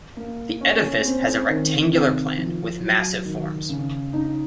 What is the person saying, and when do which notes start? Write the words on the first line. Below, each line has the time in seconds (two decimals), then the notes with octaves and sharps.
The edifice has a rectangular plan, with massive forms.
0.17 A#3
0.61 C#4
1.05 C4
1.48 D#3
1.93 C3
2.37 F3
2.81 F#3
3.25 D#3
3.69 C#3
4.13 D#4